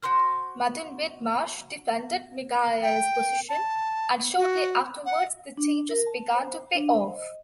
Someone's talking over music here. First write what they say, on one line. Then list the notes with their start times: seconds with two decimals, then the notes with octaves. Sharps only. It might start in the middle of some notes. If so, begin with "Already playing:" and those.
Martin Whitmarsh defended Michael's position, and shortly afterwards the changes began to pay off.
0.03 F#4 C5 C6 F6
2.83 G5
3.49 A5
4.37 F#4
5.06 F#5
5.57 D4
5.89 A#4
6.06 A5
6.35 C5
6.75 D4
6.93 C5
7.16 D#5